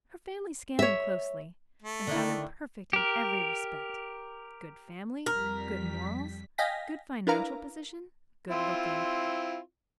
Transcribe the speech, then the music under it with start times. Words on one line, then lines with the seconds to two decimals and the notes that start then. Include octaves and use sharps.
Her family scanned him closely, and found him perfect in every respect--good family, good morals, good financial position, good looking.
0.79 C#5 E5
1.82 A3
2.07 D3 D#3 E4
2.93 G4 A#4
5.26 F2 G3 A#4 B6
6.58 D#5 F5 G5 G#5 A#6 B6
7.27 D4 E4 A#4 B4 F5 A#5
8.50 C4 E4 F4